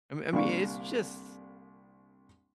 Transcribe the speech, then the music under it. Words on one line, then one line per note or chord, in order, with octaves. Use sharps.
I me I mean, it's just
C2 D3 A#3 D4 F5 C#6